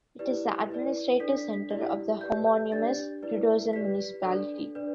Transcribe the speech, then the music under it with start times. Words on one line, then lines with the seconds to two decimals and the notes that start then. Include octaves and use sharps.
It is the administrative centre of the homonymous Rudozem Municipality.
0.19 E4 G4 B4 D5
0.70 E4 B4 D5
1.20 D4 A4 D5 B6
1.38 B6
1.53 B6
1.70 E4 G4 D5
2.21 G4 B4 D5 G6
2.46 G6
2.72 D4 G4 D5 A6
3.23 E4 B4 D5
3.73 G4 B4 D5 B6
4.24 D4 A4 D5
4.75 D4 B4 D5